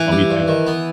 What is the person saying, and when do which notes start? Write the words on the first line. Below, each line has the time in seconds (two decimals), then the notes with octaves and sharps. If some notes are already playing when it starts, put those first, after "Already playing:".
Oh, me too.
Already playing: E3
0.12 G3
0.31 G2
0.48 D#3
0.67 B3